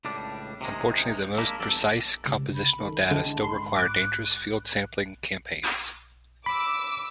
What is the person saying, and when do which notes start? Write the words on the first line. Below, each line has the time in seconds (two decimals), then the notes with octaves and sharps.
Unfortunately, the most precise compositional data still require dangerous field sampling campaigns.
0.05 C#2 A2 G3 D4
0.61 C3 D#3 G#3
1.37 G#3 A#3 D4 E4 A#4
1.60 E2 G2 A4 D5
2.26 C#2 C3
2.55 B5
2.79 D#3 A4
3.11 D3 G#3 E4 G4 A5
3.44 G#2 B5 C6
3.77 D6 F#6 D7
6.46 B5 D6 E6